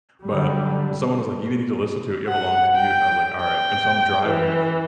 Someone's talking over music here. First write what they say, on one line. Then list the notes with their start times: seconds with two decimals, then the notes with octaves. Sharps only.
but someone was like, "You need to listen to it, you have a long commute." And I was like, "Alright." And so, I'm driving,
0.24 D3 F#3 G3
2.27 F#5
2.75 G5
3.40 G5
4.25 E3